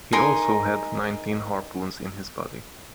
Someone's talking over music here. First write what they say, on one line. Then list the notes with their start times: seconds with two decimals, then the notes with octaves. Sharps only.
He also had nineteen harpoons in his body.
0.13 D#4 A#4 G#5 C6